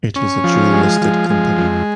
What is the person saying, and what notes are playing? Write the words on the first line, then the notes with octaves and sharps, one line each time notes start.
It is a dual-listed company.
C#4
F3
G#3
F3
G#3
F2